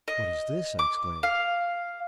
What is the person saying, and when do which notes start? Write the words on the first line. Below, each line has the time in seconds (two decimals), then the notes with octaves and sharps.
"What is this?" I exclaimed.
0.08 D#5
0.79 D6
1.23 F5